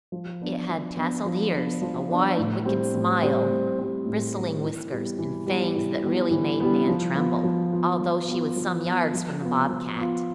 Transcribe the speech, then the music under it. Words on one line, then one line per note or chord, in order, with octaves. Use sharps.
It had tasseled ears, a wide, wicked "smile," bristling whiskers, and fangs that really made Nan tremble, although she was some yards from the bobcat.
F3
B3 D4
F3
B3 D4
F3
B3 D4
F3
B3 D4
A2
G3 C4
A2
G3 C4
A2
G3 C4
A2
G3 C4
E3
G3 B3
E3
G3 B3
E3
G3 B3
E3
G3 B3
F3
B3 F4
F3
B3 F4
F3
B3 F4
F3
B3 F4
F3
B3 F4
F3
B3 F4